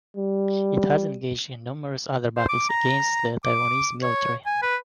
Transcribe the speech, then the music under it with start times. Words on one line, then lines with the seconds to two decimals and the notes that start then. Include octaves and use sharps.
It has engaged in numerous other battles against the Taiwanese military.
0.17 G3
2.37 C5
2.49 D6
2.69 A#5
3.44 D6
4.03 C#5
4.46 G#5
4.62 B4